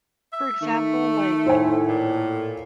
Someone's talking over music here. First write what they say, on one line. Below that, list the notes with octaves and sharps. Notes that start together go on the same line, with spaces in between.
For example, like
E5
D#3 A3
A2 C5 G#5
A#2